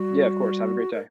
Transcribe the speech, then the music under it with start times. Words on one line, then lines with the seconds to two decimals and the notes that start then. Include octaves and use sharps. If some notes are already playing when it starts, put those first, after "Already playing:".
Yeah, of course, have a great day.
Already playing: G3 F#4
0.93 A#4